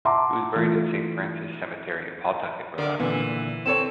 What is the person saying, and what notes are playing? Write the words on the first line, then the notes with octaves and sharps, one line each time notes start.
He was buried in Saint Francis Cemetery in Pawtucket, Rhode Island.
E5 F#5 A5 A#5 C6 D6
E3 A3 F4
D3 A#4 D5
A#2 D3 E3
C4 A4 C#5 E7